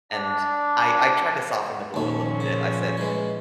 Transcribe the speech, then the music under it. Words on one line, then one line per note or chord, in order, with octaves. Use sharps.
And I I tried to soften the blow a little bit, I said,
D4
D#2 A#2 F3 A3 C#4
C#3
E3 G#3